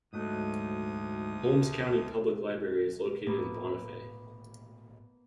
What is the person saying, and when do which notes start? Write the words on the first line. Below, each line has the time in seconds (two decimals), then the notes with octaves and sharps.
Holmes County Public Library is located in Bonifay.
0.13 D2 G#2 F#3 A3 D#6
3.27 A2 A#3 B3